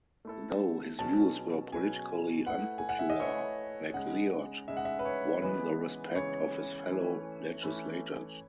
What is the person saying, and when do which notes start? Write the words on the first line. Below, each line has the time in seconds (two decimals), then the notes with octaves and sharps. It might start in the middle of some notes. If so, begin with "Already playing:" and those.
Though his views were politically unpopular, MacLeod won the respect of his fellow legislators.
0.25 A3 E4 A4
0.99 B2 F#3 C#4 G#4 B4 A5
1.72 B2 F#3 C#4 G#4 B4 G#5
2.46 A3 E4 B4 F#5
2.78 G#5
2.89 F#5
2.99 E5
3.10 D#5
3.20 A3 E4 B4 C#5
3.94 C#3 G#3 D#4 F#5
4.68 C#3 G#3 D#4 E5
4.77 F#5
4.85 E5
4.99 B4
5.05 C#5
5.42 C#3 E3 G#3 B3 B4
6.15 C#3 E3 G#3 B3 C#5
6.90 E3 A3 C#4 E4 B4
7.63 E3 A3 C#4 E4 B4